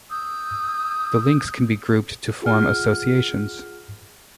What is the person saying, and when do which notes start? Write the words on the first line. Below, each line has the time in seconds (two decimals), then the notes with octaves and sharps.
The links can be grouped to form associations.
0.10 D#6 E6 G6
2.42 F4 G#4 F#5 F6